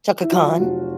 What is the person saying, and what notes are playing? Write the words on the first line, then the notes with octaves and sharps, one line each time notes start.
Chaka Khan.
E4
F#3 F4
F1 F#4